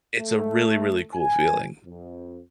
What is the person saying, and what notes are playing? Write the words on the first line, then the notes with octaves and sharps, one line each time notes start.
it's a really, really cool feeling
A3
G#5
F2